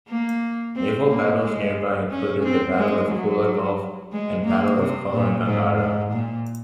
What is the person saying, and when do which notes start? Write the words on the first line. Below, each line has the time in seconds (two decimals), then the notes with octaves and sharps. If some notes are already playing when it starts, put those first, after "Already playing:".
Naval battles nearby included the Battle of Kula Gulf and Battle of Kolombangara.
0.08 A#3
0.76 C4
1.09 A#3
1.43 G#3
2.10 C#4
2.43 C4
2.77 G#3
3.11 F#3
4.12 G#3
4.45 A#3
4.78 C3
5.12 A#2
5.46 G#2
5.78 G#2
6.12 A#2